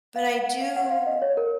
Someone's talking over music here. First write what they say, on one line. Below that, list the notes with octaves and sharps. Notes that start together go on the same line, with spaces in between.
but I do
F5
F#5
F#5
F5
F#5
F5
D#5
C#5
A#4